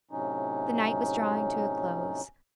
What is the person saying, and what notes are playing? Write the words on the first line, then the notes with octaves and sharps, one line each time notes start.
The night was drawing to a close.
A2 C3 F#3 C#4 D#4